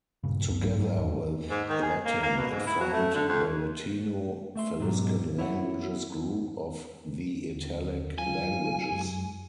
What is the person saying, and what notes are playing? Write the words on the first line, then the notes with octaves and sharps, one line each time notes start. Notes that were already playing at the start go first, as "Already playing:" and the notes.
Together with Latin, it formed the Latino-Faliscan languages group of the Italic languages.
G2 A#2 C#3
D1 F#2
B1 G#2 F#3
G#2 F#3
E2 C#4
G#2
D#3
G#4
A#3
A#3
B2
G#2
E4
F#3
A3
D3
F2
A3 E5 C6
G#2 B2 F#3 G3
E4 C#5 E5 F#5
D#2 D3
F#3 F4 F5 G#5
F#2 F#3 G#3